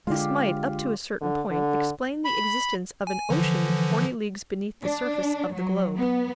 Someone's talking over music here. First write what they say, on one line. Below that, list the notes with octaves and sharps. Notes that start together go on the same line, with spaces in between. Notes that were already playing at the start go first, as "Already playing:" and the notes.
This might up to a certain point explain the existence of an ocean forty leagues beneath the surface of the globe.
D3 G#3 F4 G4
D3
D3
B5
G#5
D3 E3 F3
D4
F#3
B3